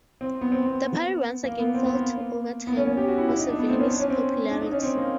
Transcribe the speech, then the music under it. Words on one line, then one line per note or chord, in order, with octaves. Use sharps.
The party once again failed to overturn Museveni's popularity.
C4
B3
C4
B3
A#3
B3
C4
B3
A#3
B3
C#4
C#4
G4
F#4
E4
E4
D#4
D4
B3
C4
C#4
D4
C#4
C4
D4
D#4
C#4
C4
A#3